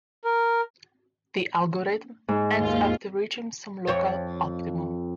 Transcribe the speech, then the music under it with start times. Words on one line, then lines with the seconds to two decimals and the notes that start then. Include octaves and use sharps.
The algorithm ends after reaching some local optimum.
0.25 A#4
2.28 G#2
2.61 D#2 F4
3.87 F2 C5 C#5